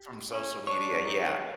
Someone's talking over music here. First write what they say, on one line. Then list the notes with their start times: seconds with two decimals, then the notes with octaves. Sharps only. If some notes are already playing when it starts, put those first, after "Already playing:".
from social media, yeah,
Already playing: G4
0.30 C#4
0.67 D4 C#5
1.04 D#4